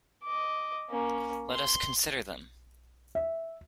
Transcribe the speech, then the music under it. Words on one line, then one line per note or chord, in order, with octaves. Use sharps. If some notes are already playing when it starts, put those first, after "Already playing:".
Let us consider them!
D#5 D6
A#3 C#4
C6
E5